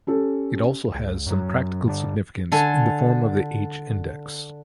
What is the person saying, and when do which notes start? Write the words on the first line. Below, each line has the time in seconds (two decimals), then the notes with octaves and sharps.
It also has some practical significance in the form of the h-index.
0.07 C#4 G4 A4
0.94 C#2
1.26 F#2 F#3
1.85 G2 D3 A#3 D4
2.52 D3 A4 G#5